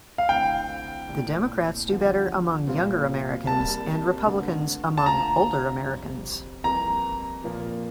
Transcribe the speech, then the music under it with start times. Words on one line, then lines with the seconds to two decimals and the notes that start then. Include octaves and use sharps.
The Democrats do better among younger Americans and Republicans among older Americans.
0.18 F5
0.29 D3 A3 C4 E4 G5
1.08 C2 A#2 A3 E4
1.88 E2 D3 F3
2.67 A#2 G3 C4 F4
3.47 C2 C3 G3 A#3 A5
4.26 G2 D3 A3
4.98 A5
5.05 D2 D3 A3 C4 F4 A#5
5.86 F2 C3 G3 C4
6.64 F2 E3 G3 A#3 A#5
7.44 A#2 F3 A#3